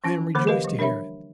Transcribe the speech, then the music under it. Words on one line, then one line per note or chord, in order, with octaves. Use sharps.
I am rejoiced to hear it.
F3 C#4 F4
D3 E3 A#3 C5 B5
G4 A#4 B4 D#5 F5
F3 G3
D4 A#4 C#5 E5 B5